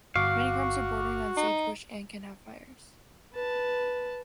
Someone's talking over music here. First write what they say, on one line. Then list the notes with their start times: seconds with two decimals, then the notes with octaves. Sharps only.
Many farms are bordering on sagebrush, and can have fires.
0.16 G1 F#4 F5 C#6 D6
1.37 D#4
3.33 B4 A5